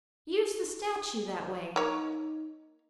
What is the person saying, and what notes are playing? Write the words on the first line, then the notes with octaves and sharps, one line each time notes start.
"Use the statue that way."
A#3 D#4 C#5